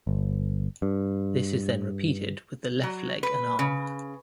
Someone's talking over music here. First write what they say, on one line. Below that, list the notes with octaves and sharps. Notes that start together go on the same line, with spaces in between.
This is then repeated with the left leg and arm.
G1
G2
F#3
B4
C#3